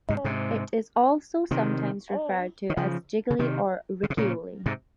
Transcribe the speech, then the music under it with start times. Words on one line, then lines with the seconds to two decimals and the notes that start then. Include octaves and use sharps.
It is also sometimes referred to as gigli or riccioli.
0.09 G#2 C3
0.24 G#2 C3
1.51 C3 D#3
2.70 D#3
2.77 C#3 F3
3.30 C#3
3.39 C3 D#3
4.03 C#3
4.10 C3
4.17 A#2 C#3
4.66 G#2 C3